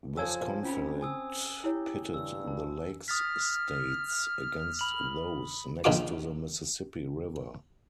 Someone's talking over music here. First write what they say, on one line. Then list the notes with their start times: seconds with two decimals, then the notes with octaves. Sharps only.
This conflict pitted the lakes states against those next to the Mississippi River.
0.17 F3 A4 C#5 G#5 A5 E6 G#6
0.63 C4 C#4 F4 B5
1.02 G#5 D#6 E6
1.64 E4 G4 C#5
2.14 G2 E6
2.48 A5
3.08 D#6 F6 A6 B6
4.79 B5 F#7
5.84 A#1 D#3 F4 D6